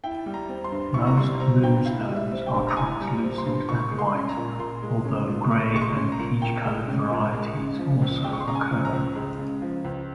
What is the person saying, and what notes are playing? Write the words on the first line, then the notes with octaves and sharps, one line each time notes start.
Most moonstones are translucent and white, although grey and peach-colored varieties also occur.
E4 G5
G3
A#5
C4
C6
G2
E4 C#6
A#5
G3 C6
C4 A#5
G2 G5
E4 F5
G3
E5
C4
G5
G2
A#5
E4 G#5
G3
A#5
C4
C6
G2
A#2 C#6
G#3
C6
C#4 C6
A#5
A#2
A#2 C6
G#3
C#4
A#2
A#2 C#6
G#3 C#6
C6
C#4
A#5
A#2
A#2 G5
G#3
C#4
A#2
G#3
C#3
F3
C#2
G#3 G5
C#6
C6
C#3 A#5
G#5
F3
A#5
C#2
G#3
C#3
F3
C#2